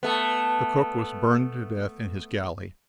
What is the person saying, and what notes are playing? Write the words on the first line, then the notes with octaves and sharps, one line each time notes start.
The cook was burned to death in his galley.
A3 B3